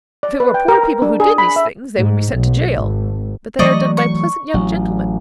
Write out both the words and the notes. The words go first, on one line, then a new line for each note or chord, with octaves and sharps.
If it were poor people who did these things, they would be sent to jail; but they are done by pleasant young gentlemen.
D5
B4
G5
A#4
A#4
D4
G#4
B5
E5
G#2
B1
G#1
E3 F#3 A3 D5 D#5 C#6
C#6
A1 F#3